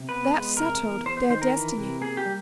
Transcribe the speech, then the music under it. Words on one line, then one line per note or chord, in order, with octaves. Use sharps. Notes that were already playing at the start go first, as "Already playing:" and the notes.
That settled their destiny.
Already playing: C3
B3 B4
G#3
C3 A#4
E2
E2 C5
C5
D#3 C5
A#4
E3
C3
A#3 G#4
G4
G3